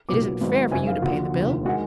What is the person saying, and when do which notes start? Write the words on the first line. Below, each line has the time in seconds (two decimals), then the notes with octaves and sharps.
It isn't fair for you to pay the bill.
0.09 B1 A#2 F#3 B3 D6
0.40 G#1 G#2 F#3 B3
0.71 F#1 F#2 D#3 G#5
0.87 F5
1.02 D#2 D3 F3 A#3 F#4
1.34 F1 D#2 D3 F3
1.65 D#3 G#3 F#4